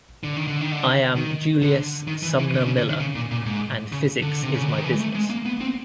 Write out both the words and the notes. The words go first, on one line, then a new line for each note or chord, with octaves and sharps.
I am Julius Sumner Miller, and physics is my business.
D3
D#3
D3
D#3
D3
D#3
D3
D#3
E3
E3
D3
C3
C#3
D3
D#3
C#3
A#2
A#2
G#2
C#3
D3
C3
C#3
D3
D#3
E3
G#3
A3
G#3
A#3
B3
C4